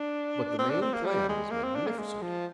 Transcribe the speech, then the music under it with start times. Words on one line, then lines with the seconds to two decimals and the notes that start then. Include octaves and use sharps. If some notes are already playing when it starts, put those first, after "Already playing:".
But the main plan is magnificent.
Already playing: D4
0.59 C4
0.70 D4
0.81 C4
0.93 A#3
1.05 G3
1.29 G#3
1.51 A#3
1.63 C4
1.75 D4
1.87 A#3
1.98 G#3
2.22 F3